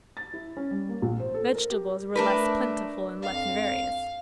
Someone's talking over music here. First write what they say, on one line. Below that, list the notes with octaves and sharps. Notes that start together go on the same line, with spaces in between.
Vegetables were less plentiful and less various.
A6
E4
C#4
G3
A#3
A#1
C5
A4
A#4
G4
A3 D4 A#4 B4
F2 F5